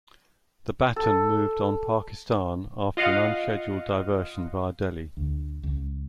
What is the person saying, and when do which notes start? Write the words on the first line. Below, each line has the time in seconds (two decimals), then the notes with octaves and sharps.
The Baton moved on Pakistan after an unscheduled diversion via Delhi.
0.96 A4
2.97 F4 D#5 F5 F#5
5.17 D2
5.63 C#2